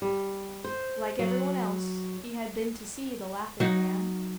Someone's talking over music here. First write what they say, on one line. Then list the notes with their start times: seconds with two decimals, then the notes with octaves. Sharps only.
Like every one else, he had been to see the Laughing Man.
0.02 G3
0.64 C5
1.19 F#3
3.60 F#3 D#4